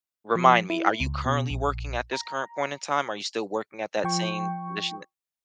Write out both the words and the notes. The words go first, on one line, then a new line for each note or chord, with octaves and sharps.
remind me, are you currently working at this current point in time? Are you still working at that same position tha
F3
E4
C#2
B2
A#1
A#5
F3 G5 C#6